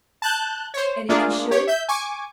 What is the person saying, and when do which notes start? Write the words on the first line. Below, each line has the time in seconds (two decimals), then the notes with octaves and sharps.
"And if he should?"
0.22 A5 F#6 G6
0.74 C5 C#5
1.09 A3 A#3 D4 F4 G#4
1.51 G4 C#5
1.67 E5 G6
1.89 G#5 C#6 D6